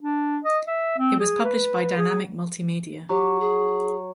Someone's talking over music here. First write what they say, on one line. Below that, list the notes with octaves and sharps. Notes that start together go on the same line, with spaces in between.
It was published by Dinamic Multimedia.
D4
D#5
E5
C4
G#4
B4
G#4
F#3 G4
G#4